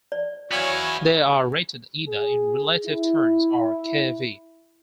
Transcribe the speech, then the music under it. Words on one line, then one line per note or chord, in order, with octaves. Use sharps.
They are rated either in relative turns or Kv.
D5
F#3 B3 E4 C#5 F5 G#5
G#4
E4